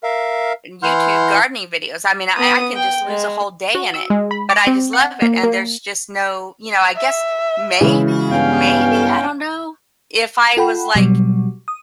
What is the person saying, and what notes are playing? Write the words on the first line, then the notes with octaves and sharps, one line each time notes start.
and YouTube gardening videos. I mean, I I can just lose a whole day in it, but I just love it and there's just no you know, I guess maybe, maybe, I don't know, if I was like
A#4 E5 F5
E3 E4 F#5 C6 F6 G6
B3 D#6
G5
G#3
F#4
E6
G#3
B5
D6
C4
F#5
A#3
A#3
E5
C#3 E3 G#3
G2 B3 C#4 F5 G5
F4 A4 F#5 G5 B5
B2 F#3 G3
D#6